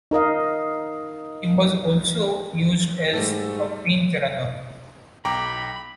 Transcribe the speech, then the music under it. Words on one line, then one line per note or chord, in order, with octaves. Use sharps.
He was also used as a pinch-runner.
D#4 A#4 D#5 F5
G#2 G3 A3 A4
B1 G5 A#5 B5 D6